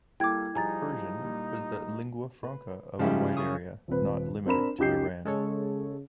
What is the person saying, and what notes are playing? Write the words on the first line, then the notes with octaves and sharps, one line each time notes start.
Persian was the "lingua franca" of a wide area, not limited to Iran.
G3 A#3 E4 A4 G5 D6 G#6
F3 G3 D#4 G#4 G#5 A#5 A6
A#2 G3
B4
G#2 C#3 F3 G3 G#3 E4 F#4
C#6 D#6
D#1 C4 B4
C4 D4 A#4 B5 E7
C#2 C#4 D#4 G4 G6 C7
C#3 G#3 A4 C#5